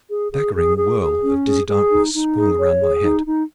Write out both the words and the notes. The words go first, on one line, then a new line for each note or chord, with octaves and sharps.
A staggering whirl of dizzy darkness swung round my head.
G#4
G#4
G#4
G#4
G#4
C#4
G#4
G#4
D#4
D#4
G#4
C#5
G#4
D#4
D#4